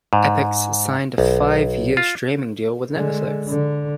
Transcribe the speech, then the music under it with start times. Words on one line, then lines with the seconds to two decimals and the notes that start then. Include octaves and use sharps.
Epix signed a five-year streaming deal with Netflix.
0.13 G#2
1.18 B1
1.97 F4
2.93 D3 G#3
3.48 D3